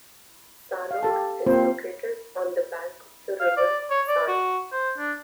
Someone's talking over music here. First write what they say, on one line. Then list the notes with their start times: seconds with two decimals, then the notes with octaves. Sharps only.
Sanok is located on the bank of the river San.
0.91 F5
1.03 G4 A4 A5
1.47 A#3 C4 F4 C5
3.40 F5
3.57 D5
3.90 C#5
4.08 D5
4.28 F#4
4.72 C5
4.98 D4